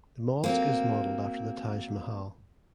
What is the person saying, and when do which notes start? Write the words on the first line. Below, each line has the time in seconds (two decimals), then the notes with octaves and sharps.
The mosque is modelled after the Taj Mahal.
0.44 A#3 C4 F#4